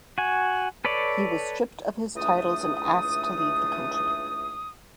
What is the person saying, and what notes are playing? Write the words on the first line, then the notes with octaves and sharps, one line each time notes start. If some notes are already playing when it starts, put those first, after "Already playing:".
He was stripped of his titles and asked to leave the country.
F#4 G#5
A4 B4 C#5 D5
C#2 E3 A3 D4 D#6